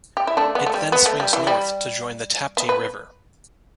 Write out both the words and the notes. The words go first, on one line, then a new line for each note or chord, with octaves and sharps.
It then swings north to join the Tapti River.
G4
E4
A3 D4
B3
A3
G3
B3
A3
G3
E3
G3
B3
B4